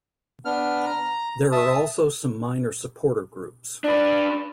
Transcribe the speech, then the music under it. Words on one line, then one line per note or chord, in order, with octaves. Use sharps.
There are also some minor supporter groups.
B3 D4 F6
A#5
E5 A5 D#6
D4 B4 D5